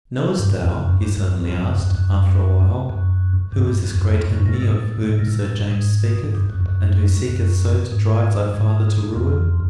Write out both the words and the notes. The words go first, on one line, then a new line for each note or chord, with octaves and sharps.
"Knowest thou," he suddenly asked, after a while, "who is this great enemy of whom Sir James speaketh, and who seeketh so to drive thy father to ruin?"
G2
F#2
F2
F#2
G2
F#2
F2
F#2
F#2
F#2
F#2
G2
G2
F#2
F#2
F2
F#2
A#2
A2
G#2
A2
A2
A#2
A2
G#2
G#2
G2
F#2
F#2
F#2
G#2
G#2
F2